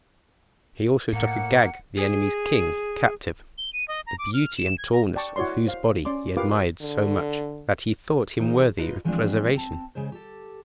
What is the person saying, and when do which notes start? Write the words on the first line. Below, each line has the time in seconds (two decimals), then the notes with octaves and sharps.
He also took Agag, the enemies' king, captive,--the beauty and tallness of whose body he admired so much, that he thought him worthy of preservation.
1.13 A2 A#3 F#5 C#7
1.97 G#4
3.58 G7
3.73 D#7
3.88 D#5
4.07 A#5
4.19 D6
4.34 F6
4.57 E7
4.78 G#6
4.92 A#5
5.16 D5 G5 A5 C#6
5.36 E4 F#4 C#5 D5 C6
5.67 C5 F5
6.05 C#4 D5 C6 D6
6.37 F4 G4 A#4 B4 F5 D6
6.81 D3
8.40 E3 D#4 G#4 A#4 C5
8.78 D#4 F4 B4 D#5
9.05 E3 F3 G#3 A3 C4 D4
9.55 C4 A5
9.95 C#3 G#3 G#4 C5
10.12 G4 A4